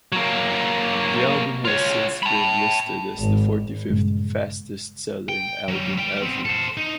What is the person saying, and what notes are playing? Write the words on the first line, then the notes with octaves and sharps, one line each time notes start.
The album has since been listed as the forty fifth fastest-selling album ever.
F#3 A#3
F4 C#5
A5 B5
G#1
G2 A#2 C#3 G#3
G5
F#3 G3
G3 G5
B3 C4
A4 C5
D#4